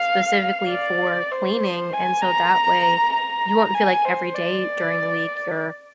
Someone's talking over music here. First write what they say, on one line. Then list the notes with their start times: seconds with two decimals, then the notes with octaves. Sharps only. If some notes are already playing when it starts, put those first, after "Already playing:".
specifically for cleaning. And so, that way, you won't feel like every day during the week, you're
Already playing: F5
0.70 D5
1.31 C5
1.93 G#5
2.22 A#5
3.14 A#5
3.74 G#5
4.05 C5
4.34 D5